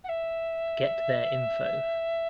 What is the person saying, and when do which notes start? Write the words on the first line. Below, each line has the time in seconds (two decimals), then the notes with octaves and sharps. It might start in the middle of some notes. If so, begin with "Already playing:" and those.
Get their info.
0.04 F#5
0.09 E5